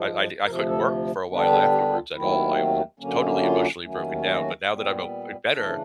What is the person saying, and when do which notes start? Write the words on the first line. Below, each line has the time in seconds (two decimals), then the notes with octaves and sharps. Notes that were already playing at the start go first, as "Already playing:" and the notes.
I I di I couldn't work for a while afterwards at all I was it totally emotionally broken down, but now that I'm o better,
Already playing: G#2 F3 G#3
0.44 D2 C3 F3 A#4
0.66 A4
1.30 D3 G3 B3 D4
1.51 G#4
1.72 G4
1.93 F4
2.14 D#2 D#3 F#3 A3 C4 E4
2.99 F#2 D3 F#3 A#3 C#4
3.41 F4
3.84 D#2 D#3 F#3 A3 C#4
4.26 F#4
4.68 A#2 G3 B3
5.53 C#3 E3 A3 D4